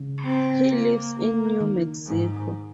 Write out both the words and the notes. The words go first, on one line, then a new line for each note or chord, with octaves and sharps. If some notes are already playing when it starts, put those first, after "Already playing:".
He lives in New Mexico.
Already playing: C#3
C4
A#3
A#3
D#3
G#2